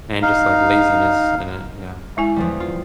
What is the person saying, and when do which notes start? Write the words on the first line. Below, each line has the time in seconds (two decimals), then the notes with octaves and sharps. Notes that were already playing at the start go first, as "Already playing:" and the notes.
and just like laziness in it, yeah.
0.22 D#4 F5
2.17 G#3 E4 G#5
2.36 E2 F3 G3
2.60 F4